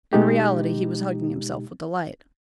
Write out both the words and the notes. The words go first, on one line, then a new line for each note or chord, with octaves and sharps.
In reality he was hugging himself with delight.
B2 G#3 D#4 G4